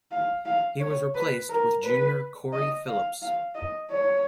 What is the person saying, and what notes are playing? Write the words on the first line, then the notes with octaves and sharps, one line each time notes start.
He was replaced with junior Cory Phillips.
F5
F5
C#5
B4
A#4
B4
D#5
F5
F5
D#5
C#5